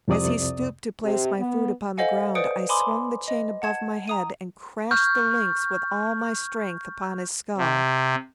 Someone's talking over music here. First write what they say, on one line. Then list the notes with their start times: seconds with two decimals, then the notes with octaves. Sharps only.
As he stooped to place my food upon the ground I swung the chain above my head and crashed the links with all my strength upon his skull.
0.08 C2 F2 C3 D5 D#6
1.02 C3
1.37 B3
1.97 A4 C5 D#5 F5 F#5 G#5
2.35 B4 C5 D5 D#6 C#7 D7
2.69 G#5 B5 C6 D6 D#6
3.28 D#5
3.62 F#5 A5 G#6 E7
4.08 A#5 D#6 D#7
4.91 C#6 F6 G6
7.57 C3